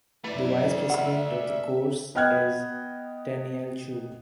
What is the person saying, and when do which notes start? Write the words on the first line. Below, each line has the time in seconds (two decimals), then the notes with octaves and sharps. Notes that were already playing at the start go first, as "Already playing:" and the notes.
The vice president of the course is Tenniel Chu.
0.24 F#2 A3 E4 B4 D5
0.90 D#3 E4 E5 F#5
2.15 B3 D#5 G5 F6 F#6 G#6